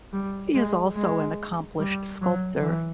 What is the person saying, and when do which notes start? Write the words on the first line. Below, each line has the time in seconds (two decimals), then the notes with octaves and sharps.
He is also an accomplished sculptor.
0.13 G3
0.54 G#3
0.96 G#3
1.79 G3
2.21 F#3
2.62 E3